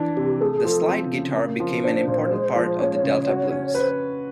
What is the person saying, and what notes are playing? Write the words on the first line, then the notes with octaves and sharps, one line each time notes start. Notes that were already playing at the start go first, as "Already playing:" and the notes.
The slide guitar became an important part of the Delta blues.
Already playing: E3 D4
C3 G4
A3 G#4
F3 A4
C4
C#3
A#3
F3
D4 C5
A#2
G#3
F3
C#4 C#5
C#3
F#4
C#4
B4 C5